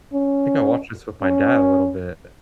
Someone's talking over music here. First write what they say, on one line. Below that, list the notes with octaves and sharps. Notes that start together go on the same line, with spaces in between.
think I watched this with my dad a little bit,
C#4
C#4